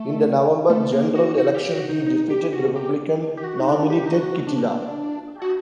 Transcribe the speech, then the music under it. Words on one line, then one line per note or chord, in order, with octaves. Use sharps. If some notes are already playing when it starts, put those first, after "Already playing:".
In the November general election he defeated Republican nominee Ted Kittila.
Already playing: A3
A3
A#3
F#4
F#4
G4
G4
F#4
D#4
D#4
G4
F#4
G4
G4
F#4
D#4
D4
G4
D#4
F#4
D4
F#4